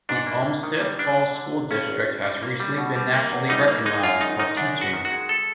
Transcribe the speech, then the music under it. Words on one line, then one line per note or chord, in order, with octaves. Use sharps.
The Olmsted Falls School District has recently been nationally recognized for teaching.
G#2 D4
A#3
A#3
D#3
G3
G3 D4
D3
D3
G#1
G2 C#4
G#1
G#1
G3
A#3
G3
B2
G3
A#3
E2
G3 D#4
A#3
G#3 D#4
F#2 F4
D#3 D#4
D#3 D#4
F#2 D4
G#3
F#4
D#3
F#4
G#3
A4